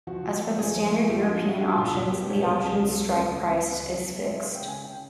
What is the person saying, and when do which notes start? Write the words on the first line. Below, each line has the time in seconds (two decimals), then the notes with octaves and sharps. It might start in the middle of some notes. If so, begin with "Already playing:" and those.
As for the standard European options, the option's strike price is fixed.
0.07 F3 F#4
0.23 F3
0.40 A3
0.58 F3 G#4
0.75 F3
0.92 A3
1.09 F3 G4
1.23 F#4
1.26 D4
1.35 F4
1.44 A3 F#4
1.60 D4 F#4
1.77 A#2 F4
1.94 A#2 F#4
2.11 B2 G4
2.29 F#3 G4
2.46 B2 G#4
2.63 C#2 G#4
2.80 F#3
2.89 A4
2.98 C#2
3.14 C#2
3.31 C#2
3.48 C#2
3.66 B3 B4
3.83 F#3
3.99 F#3
4.17 G#3
4.29 E5
4.34 G#3
4.43 F5
4.51 C#3 G5
4.67 C#3 G#5
4.85 C#3 G5